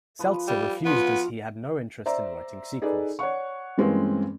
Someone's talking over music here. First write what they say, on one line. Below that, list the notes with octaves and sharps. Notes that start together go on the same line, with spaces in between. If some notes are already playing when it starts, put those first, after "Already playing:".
Seltzer refused as he had no interest in writing sequels.
F3 B4
G3
F3 B3 F4 F#4
C5 D5 E5 A#5
D#4 G#4 A4 B4 D5
C#5 D5 F#5 C#6
G2 E3 G#3 A#3 C4 C#4